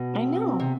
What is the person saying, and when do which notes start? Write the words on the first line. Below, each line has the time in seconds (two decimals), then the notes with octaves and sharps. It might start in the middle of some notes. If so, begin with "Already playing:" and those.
I know.
Already playing: B2
0.13 B3
0.21 C4
0.60 C3